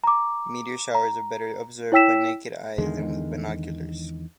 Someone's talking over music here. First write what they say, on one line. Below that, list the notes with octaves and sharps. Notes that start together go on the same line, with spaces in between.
Meteor showers are better observed by naked eye than with binoculars.
A#5 D6
A#5
E4 C#5 G5 E6 B6 E7
E2 D3 D#3 G#3